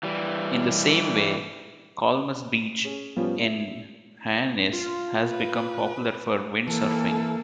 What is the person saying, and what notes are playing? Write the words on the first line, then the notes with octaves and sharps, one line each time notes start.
In the same way Kalmus Beach in Hyannis has become popular for windsurfing.
E3 G3
C#4 G#4
A2 F3 G3 B3 C#4 F4
E5
F4
B4
E3 A#3 A4